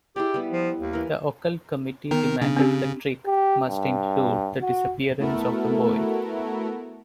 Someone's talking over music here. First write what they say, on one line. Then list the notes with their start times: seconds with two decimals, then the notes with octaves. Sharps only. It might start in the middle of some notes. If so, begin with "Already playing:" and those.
The Occult Committee demanded the trick must include the disappearance of the boy.
0.16 E4 G4 G#4 D5
0.34 G3 B3
0.52 F3
0.80 D#2
0.93 E3 A#4
2.11 D#3 B3 A#4
2.41 C#3 D4
2.57 C4 C#4 G4
3.26 G4
3.69 G2
4.61 F#4
5.19 A3 B3 E4 F#4 A4 A#4